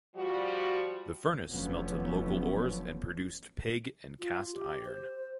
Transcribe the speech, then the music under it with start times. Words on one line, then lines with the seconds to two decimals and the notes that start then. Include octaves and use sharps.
The furnace smelted local ores and produced pig and cast iron.
0.16 F3 G3 F#4
1.49 F1 D3 F3 F#3 B3 C#4
4.20 F4
4.54 G4
4.85 C5